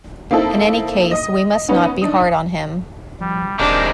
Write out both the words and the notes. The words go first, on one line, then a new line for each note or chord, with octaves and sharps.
In any case we must not be hard on him.
A#3 C4 D#4 E4 A4
D#5 D#6
B3 C#4 D#4 B4
D4 D#4 D#6
F3 G3
D#1 C3 D#3 G#3 D4 A#4 C5